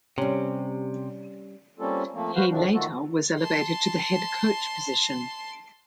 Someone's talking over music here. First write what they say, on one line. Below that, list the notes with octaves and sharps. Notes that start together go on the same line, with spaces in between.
He later was elevated to the head coach position.
C3 G3 C#4
G3 A#3 C4 C#4 F4 A4
F3 A3 A#3 C4
F#4 B4 C5 F5 F#5
F2 C3 D#3 F3 C4 D4
D#3 A3 F4 F#4 A4
A5 C6